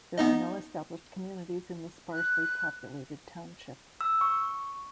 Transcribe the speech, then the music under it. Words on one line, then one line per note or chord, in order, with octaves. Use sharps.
There are no established communities in the sparsely populated township.
B3 D#4 D#5
F#6
E6
C#6